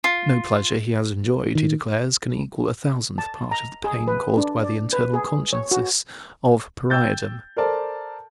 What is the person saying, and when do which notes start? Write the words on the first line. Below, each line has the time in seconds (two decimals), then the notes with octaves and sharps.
No pleasure he has enjoyed, he declares, can equal a thousandth part of the pain caused by the internal consciousness of pariahdom.
0.04 F4
1.55 D#3
3.18 A5
3.51 A#5
3.84 G#4
4.07 B4
4.37 D4
4.63 D5
4.93 B4
5.13 G#4
5.53 C#5
5.71 F#4
6.90 G5 E6 G6 A6
7.56 A4 A#4 C5 D5 A5